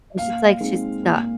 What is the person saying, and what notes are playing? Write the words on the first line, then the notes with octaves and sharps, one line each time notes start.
It's just like she's stuck.
A#2 F5
G#3 C4 D#4
A#2